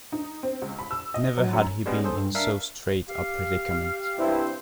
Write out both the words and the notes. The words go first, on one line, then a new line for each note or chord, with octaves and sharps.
Never had he been in so strait a predicament.
D#4
C4
C#2
B5
E6
D#5
F#3
F#2
G3 G#3 B3 C#4
G#4 A4 C5
G2
D4 A#4 E5 F5
G4 F5
G2 B3 C4 E4 C5